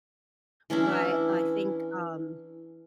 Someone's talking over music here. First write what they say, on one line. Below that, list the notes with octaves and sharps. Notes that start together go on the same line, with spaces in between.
but I think, um
E3 C#4 D4 E4